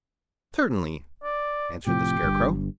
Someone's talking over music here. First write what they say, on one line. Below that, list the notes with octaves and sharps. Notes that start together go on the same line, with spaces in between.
"Certainly," answered the Scarecrow.
D5
A2 C3 F3 G4
G1 G2